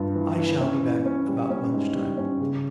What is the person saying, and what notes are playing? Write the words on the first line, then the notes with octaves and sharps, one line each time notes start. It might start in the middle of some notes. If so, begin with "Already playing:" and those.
I shall be back about lunch time.'
Already playing: G2 F4
E3
E3
C#4
E3
C#4
G3
C#4
G#2
G3
C#4
C#3